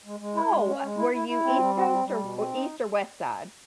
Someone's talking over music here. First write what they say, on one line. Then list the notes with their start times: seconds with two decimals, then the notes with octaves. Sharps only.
Oh, uh, were you East Coast or East or West Side?
0.05 G#3
0.20 G#3
0.35 E4
0.52 G#3
0.67 C#4
0.82 G#3
0.97 E4
1.13 E4
1.28 E4
1.44 C4
1.58 G3
1.75 C4
1.90 G3
2.05 G3
2.21 B2
2.36 C4
2.52 D#4